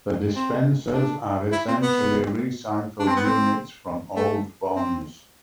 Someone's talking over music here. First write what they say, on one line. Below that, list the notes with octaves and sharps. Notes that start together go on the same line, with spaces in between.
The dispensers are essentially recycled units from old bombs.
C4
D4
E4
C4
B3
D4
C4
B3
C4
A3
C4